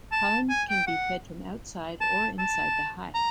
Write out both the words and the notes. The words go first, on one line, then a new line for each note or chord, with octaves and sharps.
Pollen can be fed from outside or inside the hive.
A5
G#5
G5
F#5
A5
A5
A#5